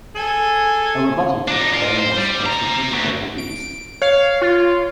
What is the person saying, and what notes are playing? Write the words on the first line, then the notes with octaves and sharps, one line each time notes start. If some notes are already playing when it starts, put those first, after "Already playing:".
A rebuttal to the claim was posted to The Daily Beast.
G#4 A4 G#5
D4 D#4
F4 A#4
C5
G3
C3 A#5
D2
D7
C#5 F5
F4